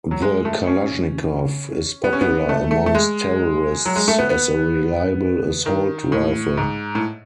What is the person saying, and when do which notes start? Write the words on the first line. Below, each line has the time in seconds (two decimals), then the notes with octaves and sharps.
The Kalashnikov is popular amongst terrorists as a reliable assault rifle.
0.11 F#3
0.22 G#3
0.45 A3
0.67 C#4
2.04 B3
2.13 C#4
2.21 B3
2.49 A3
2.71 A3
2.86 A3
2.95 G#3
3.86 F#3
3.96 G#3
4.08 A3
4.19 B3
4.30 B3
5.66 D#3
6.12 A2
6.57 G#2
6.95 A2